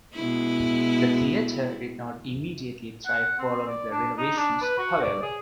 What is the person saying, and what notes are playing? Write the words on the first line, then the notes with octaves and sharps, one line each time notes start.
The Theatre did not immediately thrive following the renovations, however.
B2 G#3 E4
F#5
C4
D5
D4
D#4
D4
B4
F#4
D5
G#4